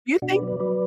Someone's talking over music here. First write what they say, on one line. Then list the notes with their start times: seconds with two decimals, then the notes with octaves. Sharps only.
Do you think
0.22 B2 D4 F#4
0.35 B4 D5
0.42 F#3
0.47 B4 D5
0.60 F#3 B4 D5